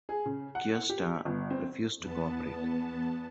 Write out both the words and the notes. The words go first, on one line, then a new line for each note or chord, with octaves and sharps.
Cuesta refused to co-operate.
G#4
C#3
F#5
G4
G1
C4
E2 B3 A5